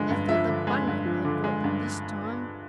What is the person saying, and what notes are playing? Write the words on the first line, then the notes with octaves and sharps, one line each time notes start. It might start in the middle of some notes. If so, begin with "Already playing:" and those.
They thought the Bunyip had got them this time.
Already playing: G2 D3 F3 G#3
G2
F3 E5
D3
G#3
G2
F3
D3
G#3
G2